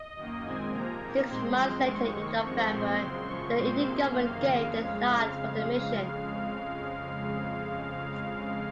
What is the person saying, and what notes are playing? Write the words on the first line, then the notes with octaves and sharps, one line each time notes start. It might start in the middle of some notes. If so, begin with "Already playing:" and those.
Six months later, in November, the Indian government gave the nod for the mission.
Already playing: D#5
F#2 D#3 A#3
A#2 G#3 C4 G#5
C3 F3 A#3 A#5
D#2 D#3 A#3
A#2 G#3 C4 C6
F#2 F3 G#3 C4
D#2 D#3 G#3 C#6
C3 D#3 A#3
F#2 F3 G#3 C4
A#2 G#3 C4 C6
F#2 C#3 G#3 C4
F#2 C#3 F3 C#6
A#2 G#3 C4 C6
C3 D#3 A#3
F#2 D#3 A#3 F5
F2 C#3 G#3